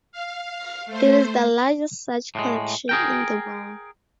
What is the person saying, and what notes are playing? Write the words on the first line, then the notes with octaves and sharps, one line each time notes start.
It is the largest such collection in the world.
F5
A3 C5
A2 G#3
G#4 A#4 G5